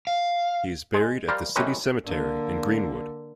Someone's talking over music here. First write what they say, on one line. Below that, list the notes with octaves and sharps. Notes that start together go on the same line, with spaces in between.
He is buried at the City Cemetery in Greenwood.
F5
G#3
G3 A#4 C5 D5 F5
F#2 A2 C3 C#4 D#4 B4
D3 A#3